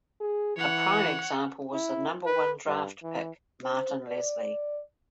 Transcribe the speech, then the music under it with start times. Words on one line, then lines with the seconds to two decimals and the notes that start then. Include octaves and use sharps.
A prime example was the number one draft pick, Martin Leslie.
0.20 G#4
0.57 E3 C#5 F#5
1.73 E4
2.26 B4
2.66 G2
3.03 E3
3.64 C5
4.08 D5